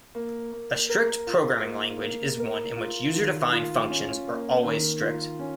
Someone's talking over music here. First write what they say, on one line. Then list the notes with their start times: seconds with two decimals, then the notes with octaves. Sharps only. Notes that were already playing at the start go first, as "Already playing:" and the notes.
A strict programming language is one in which user-defined functions are always strict.
0.15 A#3
0.52 A#3
0.90 A#4
1.27 F4
1.65 A#3
2.02 A#3
2.40 A#4
2.77 F4
3.14 D#3
3.52 F4
3.90 C#4
4.27 A#3
4.64 D#3
5.01 F4
5.39 C#4